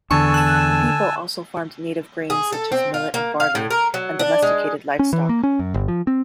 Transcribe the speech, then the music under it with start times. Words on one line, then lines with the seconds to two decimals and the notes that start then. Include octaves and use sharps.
The people also farmed native grains such as millet and barley, and domesticated livestock.
0.11 E2 D3 G#5 A5 C#6 E6
0.34 F#6 E7
2.30 G#4
2.52 A4
2.72 C4
2.94 F4
3.14 A#3
3.40 F5
3.55 A2
3.71 A#4
3.94 F#3
4.19 D4
4.42 G#3
4.99 C#4
5.13 E3
5.29 A#3
5.43 C#4
5.59 F#2
5.74 G1
5.88 F3
6.07 C4